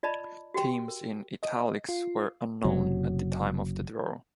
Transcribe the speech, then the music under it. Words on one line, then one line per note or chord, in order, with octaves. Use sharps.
Teams in "Italics" were unknown at the time of the draw.
F4 D5 D#5 A5 B5
F#4 G4 G5 C6
A#4
D#5
F4
F#1 C3 F#3